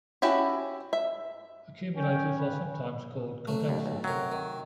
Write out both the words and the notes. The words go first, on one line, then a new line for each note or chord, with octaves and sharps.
Accumulators are sometimes called condensers.
C#4 E4 F#4 G4
E5
C#4 G5
B4
F#3 A3
D#2
B1
C3 F#3 A#4
D#3